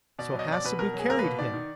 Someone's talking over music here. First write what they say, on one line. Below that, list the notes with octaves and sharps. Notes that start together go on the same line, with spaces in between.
So Hassebu carried him.
B2 D5
F#3
D#5
B2 D5
B2 B4
B2 A#4
F#3
G#4
A#3 A#4
B4
B2
D#3 D5
D#3